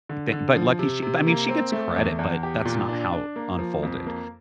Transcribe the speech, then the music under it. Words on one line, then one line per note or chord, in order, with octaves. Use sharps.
thank but lucky she but I mean, she gets credit, but that's not how it unfolded,
D3
D3
F3
C3
C3
A#3
C4
A3
E2
E2
G4
A#2
D4
D4
A#3
F3
F2
A#3